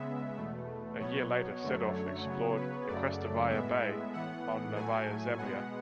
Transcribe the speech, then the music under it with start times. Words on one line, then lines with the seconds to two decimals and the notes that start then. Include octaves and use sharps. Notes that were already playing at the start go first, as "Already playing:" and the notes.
A year later Sedov explored the Krestovaya Bay on Novaya Zemlya.
Already playing: C#3 G#3 B3 E5
0.37 E2 B2 A3
0.99 B2 F#3 B3 C#5
1.62 F#2 D3 F#3 A3
1.94 C#5
2.25 C#3 F#3 B3
2.56 B4
2.87 F#2 C#3 F#3 A3 D5
3.50 A2 G#3 B3 E5
4.13 A2 E3 B3 F#5
4.76 A2 F#3 A3 G#5
5.38 B2 G#3 B3 F#5